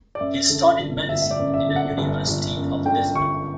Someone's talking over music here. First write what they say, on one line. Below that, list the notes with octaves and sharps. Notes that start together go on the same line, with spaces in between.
He studied Medicine in the University of Lisbon.
D5
F#2 E5
D3
G1
G1 E5
E5
D5
F#2
E5
D3
F#5
G1
G1
F#2
D3 G5
G1 C#6